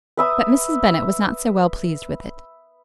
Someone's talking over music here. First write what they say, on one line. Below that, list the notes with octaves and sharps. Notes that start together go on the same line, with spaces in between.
But Mrs. Bennet was not so well pleased with it.
B4 E5 D#6